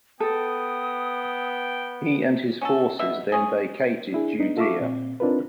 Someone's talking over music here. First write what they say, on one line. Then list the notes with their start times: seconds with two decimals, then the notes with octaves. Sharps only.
He and his forces then vacated Judea.
0.20 B3 A4 G5 D#6
2.61 C#4 F#4 A4
2.99 B2 E5
3.32 C#4 G#4
4.13 D4 E4 G#4
4.38 B3 D4 D#4
4.57 F4 A4 E5 F5 C#6 D6
4.80 A#2 C4
5.20 C4 D4 D#4 F4 A#4 B4